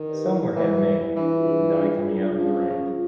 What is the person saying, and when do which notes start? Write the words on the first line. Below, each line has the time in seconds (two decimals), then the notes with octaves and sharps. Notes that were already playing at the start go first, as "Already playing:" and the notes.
Some were handmade, with the dye coming out in the rain.
Already playing: D#3
0.09 G4 B4 D5
0.24 E4
0.40 G4 B4 D5
0.56 E3 E4
0.70 G4 B4 D5
0.86 E4
1.01 G4 B4 D5
1.16 E3 D4
1.32 F4 G#4
1.48 D4
1.63 F4 G#4
1.78 D4
1.93 F4 G#4
2.08 D4
2.25 F4 G#4
2.40 F3 C#4
2.55 F4 G#4
2.70 C#4
2.86 F4 G#4